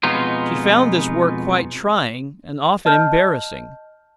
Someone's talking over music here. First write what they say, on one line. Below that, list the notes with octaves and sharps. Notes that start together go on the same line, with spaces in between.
She found this work quite trying, and often embarrassing.
F2 B2 G#3 B3 D#4 F4
D#5 A5 F6 G6